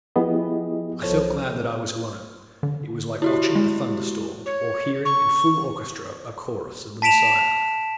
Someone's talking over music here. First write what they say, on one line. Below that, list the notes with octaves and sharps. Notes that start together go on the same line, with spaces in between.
I felt glad that I was alone: it was like watching a thunderstorm, or hearing in full orchestra a chorus of the Messiah.
F3 B3 E4 G4 G#4 D#5
C2 F3 A4 C5 C#5
D3
E4 F#4 G4
G#3
C#5
C#6
A5 B6 D7 E7 F7